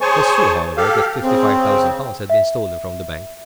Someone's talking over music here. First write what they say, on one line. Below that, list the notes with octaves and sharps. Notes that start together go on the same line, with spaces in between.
It was true, however, that fifty-five thousand pounds had been stolen from the Bank.
G#4 C5 C#5 G#5 A5 C#6
G4 A4 F5
C#3 C4
E5